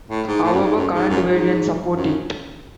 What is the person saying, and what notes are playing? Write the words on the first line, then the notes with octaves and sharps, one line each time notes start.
However, current variants support it.
A2
G#2
A2
F#2
G#2
F#2
G#2
F#2
G#2
F#2